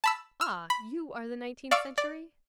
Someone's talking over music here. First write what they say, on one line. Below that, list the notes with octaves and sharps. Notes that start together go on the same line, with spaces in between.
Ah! you are the nineteenth century?
A5 B5 E6
E6 F6
B5
D5 F5 C#6 D6 E6
D5